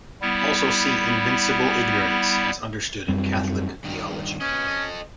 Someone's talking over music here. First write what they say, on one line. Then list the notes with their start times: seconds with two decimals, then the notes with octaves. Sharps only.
Also see "Invincible Ignorance" as understood in Catholic theology.
0.22 G3 B3 E4
3.08 F#2 G3 C4
3.84 G2 D#3
4.41 C#4 B4 D#5
4.68 A4 D#5